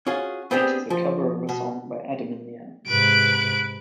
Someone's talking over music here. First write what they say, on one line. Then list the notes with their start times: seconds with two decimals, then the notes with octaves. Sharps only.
It is a cover of a song by Adam and the Ants.
0.07 C#4 F4 F#4 G#4
0.51 B3 C4 D4 G4 G#4
0.90 F3
1.49 B2
2.87 G#2 C3 B4 D7